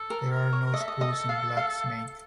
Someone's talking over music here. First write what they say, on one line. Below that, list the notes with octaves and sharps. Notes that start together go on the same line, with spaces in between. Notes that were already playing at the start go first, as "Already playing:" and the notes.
There are no schools in Black Snake.
Already playing: A4
A#4
A#4
C#5
A#4
A4 D#5
E5
D#5
D#5
F5
F5